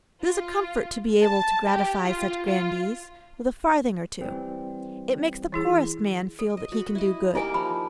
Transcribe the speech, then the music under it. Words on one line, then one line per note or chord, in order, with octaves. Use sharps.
It is a comfort to be able to gratify such grandees with a farthing or two; it makes the poorest man feel that he can do good.
F4
A5
G4
F4
F4
E3 G3 C4
E3 E4 G#4
A4
D#5
F#4 B5
E4 D#5
A#3 D#4 E4 G4 G#5
F3 B5